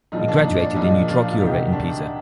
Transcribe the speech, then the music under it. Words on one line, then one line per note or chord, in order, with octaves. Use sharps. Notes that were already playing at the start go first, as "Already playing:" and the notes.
He graduated in utroque iure in Pisa.
A#1 A#2 F3 D#4
D4
D#4
D4
A#1 A#2 F3 D#4
D4 F4
D2 C3 D#3 D#4 G4
D4